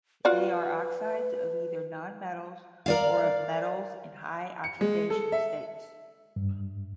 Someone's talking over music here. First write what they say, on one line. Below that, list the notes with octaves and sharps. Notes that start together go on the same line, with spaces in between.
They are oxides of either nonmetals or of metals in high oxidation states.
F4 F#4 B4 D5
A#4 D5 F5
C#7
G#3
A4
E5
G2